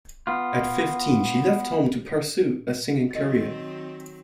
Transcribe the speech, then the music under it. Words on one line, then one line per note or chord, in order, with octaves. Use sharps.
At fifteen, she left home to pursue a singing career.
B3 F4
D#3 F#3 C4 D#5 A6